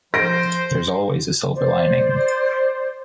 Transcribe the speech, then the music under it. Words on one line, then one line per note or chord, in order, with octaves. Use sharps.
There’s always a silver lining.
F3 C5 A#6 D7
C5 D5